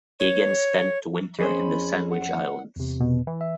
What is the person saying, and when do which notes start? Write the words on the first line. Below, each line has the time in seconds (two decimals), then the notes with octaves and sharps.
He again spent the winter in the Sandwich Islands.
0.20 C#5
1.39 F2 C#4 G#4 C5 B5
2.11 F#5
2.76 E2 C3
3.00 B2
3.27 E3
3.41 E5